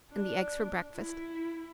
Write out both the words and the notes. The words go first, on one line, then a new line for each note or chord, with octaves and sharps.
"And the eggs for breakfast?"
D4
E4